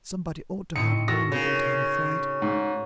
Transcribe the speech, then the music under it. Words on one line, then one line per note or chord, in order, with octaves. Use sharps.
Somebody ought to have gone with it, I'm afraid.'
A2 C4 D#4 C#7
F#4 A4 A#4 A#6
C#3
G#2